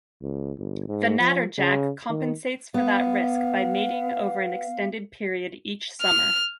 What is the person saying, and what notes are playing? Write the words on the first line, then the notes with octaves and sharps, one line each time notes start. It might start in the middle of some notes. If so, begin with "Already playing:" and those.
The natterjack compensates for that risk by mating over an extended period each summer.
C#2
G1
G#2
F3
C#3
D#3
B3 F5
F6